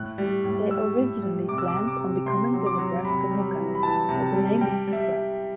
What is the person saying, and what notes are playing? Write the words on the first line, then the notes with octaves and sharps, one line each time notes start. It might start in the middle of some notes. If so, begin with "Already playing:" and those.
They originally planned on becoming the Nebraska Knockout, but the name was scrapped.
Already playing: A2 F#6
G3
A2
G3 E6
A2
G3
C3 D6
E6
D6
C3
D6
C3
C3 C6
F#3
D6
F#3
C3 B5
G3
E3
B5
E3 A5
C3
G3
G3 G5
G3
E5